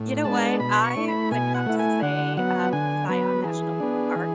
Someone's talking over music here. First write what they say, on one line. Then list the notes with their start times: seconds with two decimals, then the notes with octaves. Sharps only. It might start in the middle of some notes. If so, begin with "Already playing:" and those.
You know what? I would have to say, um, Zion National Park
Already playing: A2
0.25 G#3 B3 D4 A5
0.60 B2 B5
0.84 C#6
0.97 A3 E4
1.08 B5
1.31 B2 G#5
1.54 F#5
1.66 A3 E4
1.79 G#5
2.02 D3 F#5
2.37 F#3 B3 F#5
2.73 D3 G#5
3.09 F#3 B3 B4
3.44 E3 G#4
3.80 B3 D4
4.15 E3